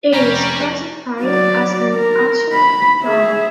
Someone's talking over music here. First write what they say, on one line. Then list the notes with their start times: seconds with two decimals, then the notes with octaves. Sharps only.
It is classified as an azo dye.
0.13 F1 G3 C#4 A#5
1.21 F#3 D5
1.95 A#4
2.53 B5
3.03 G#4 E5